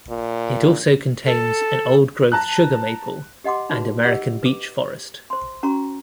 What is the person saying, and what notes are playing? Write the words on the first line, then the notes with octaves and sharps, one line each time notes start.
It also contains a old growth Sugar Maple and American Beech forest.
A#2
A4
A5 A#5 F#6
G4 D#5 F#5 C6 D6
D#4 F#4 G#4 B4
G4 G#4 D#5 F#5 E6
B4 D6
C5 C6
C#4 F#4 A#5 C#6